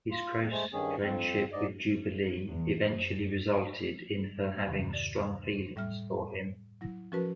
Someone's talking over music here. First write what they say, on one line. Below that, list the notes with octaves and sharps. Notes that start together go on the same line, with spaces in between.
His close friendship with Jubilee eventually resulted in her having strong feelings for him.
F4
F2
G#3 A3 C5
G2 D#3 C#4 G#4
F2 C4
G#2 D5 D#5
E2
F#2
E2 G2 C3 D#3
D5
A2 G3 E5 F6
F#3 E4 A#6
F3 C#4 F#4 A#4 B4 A5